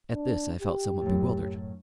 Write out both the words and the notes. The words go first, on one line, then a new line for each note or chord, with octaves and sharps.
At this I felt somewhat bewildered.
D4
G4
F#2 A2